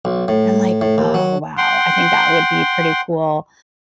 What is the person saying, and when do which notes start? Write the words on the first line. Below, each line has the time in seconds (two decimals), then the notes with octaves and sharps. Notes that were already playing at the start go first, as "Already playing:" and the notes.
And I'm like, "Oh wow, I think that would be pretty cool,"
0.05 B1
0.28 A2
0.81 A2
0.98 D#2
1.14 F#3
1.58 F#5 G5 C6